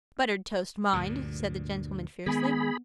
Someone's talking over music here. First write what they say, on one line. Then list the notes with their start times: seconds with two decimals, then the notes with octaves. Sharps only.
'Buttered toast, mind,' said the gentleman fiercely.
0.93 D2 G2 A#2
2.26 D#3 G#3 B3 G#4 B5